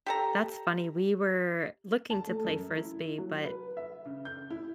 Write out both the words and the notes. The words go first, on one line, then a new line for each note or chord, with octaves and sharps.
That's funny, we were looking to play Frisbee, but
G4 A4 A#5
A5
A3
F#2
E4
F#3
B4
E5
C#3
G6
E4